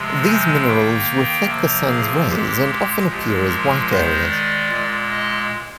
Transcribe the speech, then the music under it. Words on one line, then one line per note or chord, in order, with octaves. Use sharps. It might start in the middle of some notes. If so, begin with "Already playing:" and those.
These minerals reflect the Sun's rays and often appear as white areas.
Already playing: C3 F3 G#3
G#5
D#3 A#3 G5
C3 F3 A#3
G#4
A#2 G#3 G4
A#2 F3 G#3
A#4
D#3 G#3 C5
D5
A#2 G#3
D#5